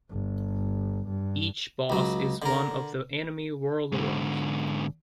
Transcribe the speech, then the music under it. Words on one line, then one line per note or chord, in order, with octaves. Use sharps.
Each boss is one of the enemy warlords.
G1
G2
C#2 F#3
D3 A#4
G#2 D3